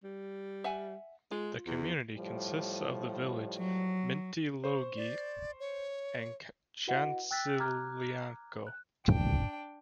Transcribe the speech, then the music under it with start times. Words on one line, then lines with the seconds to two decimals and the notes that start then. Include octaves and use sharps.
The community consists of the villages Mintilogli and Chantziliako.
0.04 G3
0.64 E5 F#5 G#5
1.31 G#3 F4
1.67 E2
2.14 A2 F3 G3
3.58 F#3
4.64 C5 C#6
4.97 D5
5.60 C#5
6.87 E4 F#4 B4 D#5 F#5
7.31 G5 E6 F#6 A6 B6
7.60 A#5 D6 F6 F#6 G#6
8.67 F#6
9.08 D4 G5